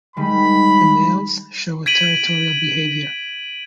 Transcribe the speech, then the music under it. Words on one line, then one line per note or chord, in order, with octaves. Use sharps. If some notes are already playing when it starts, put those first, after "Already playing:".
The males show a territorial behavior.
D#3 G3 G#3 B5
G#6 B6 D7 D#7 F#7